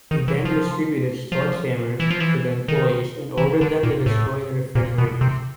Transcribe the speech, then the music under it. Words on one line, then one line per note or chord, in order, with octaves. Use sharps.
He then distributed sledgehammers to the employees and ordered them to destroy the refrigerators.
D#3
E3
F3
F3
E3
F3
E3
D#3
E3
D3
A#2
A2
A#2
B2
C3